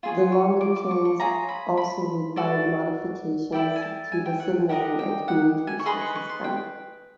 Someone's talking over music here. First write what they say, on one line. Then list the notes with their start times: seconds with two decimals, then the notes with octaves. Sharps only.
The longer trains also required modifications to the signalling and communication system.
0.03 F4 G#4 C#5 C6
0.32 C#6
0.61 D6
0.76 D6
0.91 C#6
1.05 C#6
1.20 F4 G#4 C#5 A#5
1.49 B5
1.77 B5
2.36 F#4 A4 D5
3.52 E4 A4 D5 G5
3.76 G#5
3.82 A5
4.12 G#5
4.26 G5
4.40 F#5
4.69 G4 A#4 D#5 F#5
4.99 G5
5.28 F#5
5.67 G#5
5.79 C#6
5.86 G#4 B4 D#5 C6
6.01 C#6
6.15 C#6
6.29 C6
6.44 G5